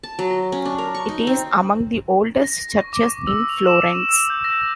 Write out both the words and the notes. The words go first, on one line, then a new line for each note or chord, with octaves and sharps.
It is among the oldest churches in Florence.
A5
F#3
D#5
C#4
D4
A#4
C#6
D#4
C4
A#6
C#6
D6
E6
F7
E7
D#7
E6
G6
A#6